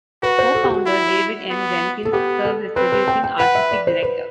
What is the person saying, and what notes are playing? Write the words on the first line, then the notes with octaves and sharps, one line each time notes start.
Co-founder David M. Jenkins serves as Producing Artistic Director.
F#4 B4
C5
A4
G4
F#4
E4
B3
A4
B3 G4
A4
C4 B4
B4
G5
G5
B4 F#5
E5
D5
C5
B4